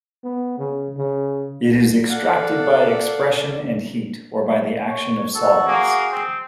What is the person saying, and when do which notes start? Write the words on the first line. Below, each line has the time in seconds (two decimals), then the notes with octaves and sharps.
It is extracted by expression and heat, or by the action of solvents.
0.24 B3
0.58 C#3
0.97 C#3
2.10 A4 D5 F5 F#5
4.88 C#5
5.35 F#4 A4
5.68 A#3 G#4
6.11 C4